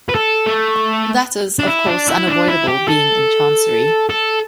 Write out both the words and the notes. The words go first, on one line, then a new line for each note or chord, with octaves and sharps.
That is, of course, unavoidable, being in Chancery.
B4
A4
A3
D4
E4
D4
E4
D4
E4
G4
A4
A4